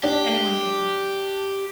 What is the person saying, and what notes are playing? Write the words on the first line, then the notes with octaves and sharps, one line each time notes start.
anyone getting
D4 G4